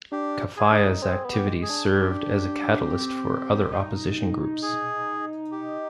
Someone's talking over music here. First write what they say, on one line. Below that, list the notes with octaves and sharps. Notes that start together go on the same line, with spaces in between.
Kefaya's activities served as a catalyst for other opposition groups.
D4 G4
G#4
D#4
C4 G#4
B3
G4
G#3
G#4
D4
D4 G4
C4
D#4
G#4
G4